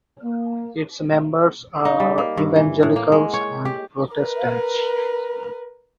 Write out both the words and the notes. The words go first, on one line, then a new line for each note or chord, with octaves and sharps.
Its members are Evangelicals and Protestants.
A#3
D#4
G3
A#3
G2
E3
A2
A#3
G#3
C#5
G4
A#4 B4